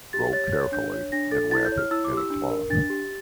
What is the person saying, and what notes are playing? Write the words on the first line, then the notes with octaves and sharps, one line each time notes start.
Roll carefully, and wrap it in a cloth.
G4 A6
C#5 A6
C#5
D4 G6
C#5
D4 A#6
A4 A6
E4 A6
G6
C#5
F6
E4 E6
D6
G4
E6
D4
A#4
D4 A6
G4